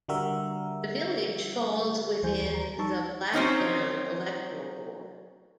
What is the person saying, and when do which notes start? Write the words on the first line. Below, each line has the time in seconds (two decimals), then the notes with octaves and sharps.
The village falls within the 'Blackdown' electoral ward.
0.08 D3 G3 F#4 A#4 E5
2.23 D2 E3 G3 C5 G#5 G6
2.40 D#2 G#4 C#6
2.54 A#5
2.78 G3 D#4 A5 C#6 E6
3.33 F#3 C4 C#4 D#4